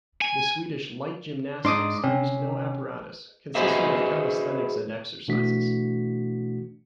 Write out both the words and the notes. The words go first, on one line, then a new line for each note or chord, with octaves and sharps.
The Swedish "light gymnastics" used no apparatus, consisting of calisthenics and exercises.
G#5
G#2 D4 D#4 C6 D6 D#6
C3 C#4
F#4 G#4 B4 C5 D#5 E5
B2 E3 A3 D4 F#4 B6